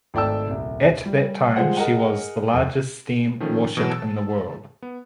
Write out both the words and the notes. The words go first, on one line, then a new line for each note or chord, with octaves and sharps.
At that time she was the largest steam warship in the world.
G#1 A3 D5 G5 A5 E6
D#1 C2
G3
G3 G#3 F4 G#4 C5 F#5
G#4 A#4 D#5 F#5
F2
D#3 F3 A3 C#4
B2 E3 F#3
A5 E6
B3